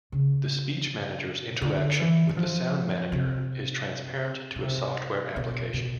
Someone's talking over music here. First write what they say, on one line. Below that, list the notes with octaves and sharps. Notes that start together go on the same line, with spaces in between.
The Speech Manager's interaction with the Sound Manager is transparent to a software application.
C#3
D3
E3
E3
F3
C3
B2
C3
B2
B2